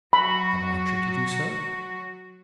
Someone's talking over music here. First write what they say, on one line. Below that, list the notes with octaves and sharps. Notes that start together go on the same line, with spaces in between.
"Have I treated you so?"
F#3 F#4 B5